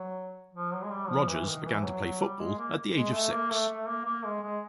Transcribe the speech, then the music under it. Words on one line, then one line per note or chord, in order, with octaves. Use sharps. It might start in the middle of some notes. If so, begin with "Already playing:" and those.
Rogers began to play football at the age of six.
Already playing: F#3
F3
F#3
G#3
G3
F3
E3
D#3
E3
F#3
F#3
G3
G#3
A#3
G#3
A3
A#3
A3
A3
A#3
A#3
G#3
G#3